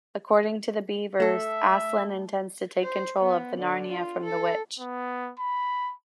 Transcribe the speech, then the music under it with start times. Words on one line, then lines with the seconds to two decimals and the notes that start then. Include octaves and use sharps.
According to the beavers, Aslan intends to take control of Narnia from the Witch.
1.20 A3 A4 E5
2.83 C5
3.21 B3
3.58 D3
3.92 F4
4.23 A4
4.79 B3
5.39 B5